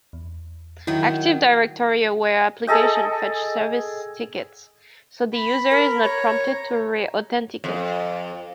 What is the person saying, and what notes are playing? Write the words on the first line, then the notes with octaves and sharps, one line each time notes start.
Active Directory-aware applications fetch service tickets, so the user is not prompted to re-authenticate.
E2
D#3 F#3 E4
G#4 A4 D#5 G5
B5
A#4
C#5 A#5
F2